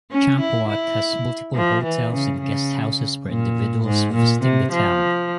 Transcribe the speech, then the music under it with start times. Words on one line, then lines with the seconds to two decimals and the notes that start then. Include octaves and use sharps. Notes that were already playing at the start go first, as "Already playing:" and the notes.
Champawat has multiple hotels and guesthouses for individuals visiting the town.
0.11 C#4
0.41 E4
0.69 E4
1.55 F3
1.84 E3
2.13 C#3
2.42 C#3
3.29 A#2
3.86 G#2
4.14 A#2
4.43 C3
4.72 F3